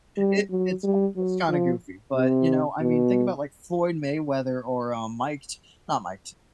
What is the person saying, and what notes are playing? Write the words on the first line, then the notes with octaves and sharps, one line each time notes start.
it it's a it's kind of goofy, but, you know, I mean, think about, like, Floyd Mayweather or, um, Mike T not Mike T
G3
F#3
G3
F#3
F3
C3
B2